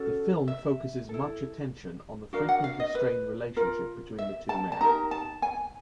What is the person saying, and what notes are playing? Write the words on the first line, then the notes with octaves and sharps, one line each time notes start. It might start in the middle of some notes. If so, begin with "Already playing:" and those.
The film focuses much attention on the frequently strained relationship between the two men.
Already playing: C#4 F#4 A4
E5
E4 A4
D4 F#4 A#4 F5
F#5
F5
D#5
B4
F4 A#4
E5
A5
A5
D#4 G4 A#4 A#5
A5
G#5